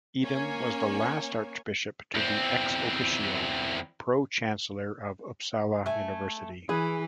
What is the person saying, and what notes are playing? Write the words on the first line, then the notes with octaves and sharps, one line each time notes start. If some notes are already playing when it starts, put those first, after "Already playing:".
Eidem was the last archbishop to be "ex officio" Pro-Chancellor of Uppsala University.
A#3 C#4 C#5 G#5
E2 C4
A3 G#5
E3 G#4 B4